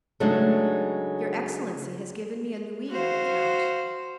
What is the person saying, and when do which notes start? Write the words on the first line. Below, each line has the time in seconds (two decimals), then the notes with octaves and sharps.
"Your excellency has given me a louis on account."
0.20 C#3 F#3 G#3 A3 D4 D#4
2.90 F#4 C5 F5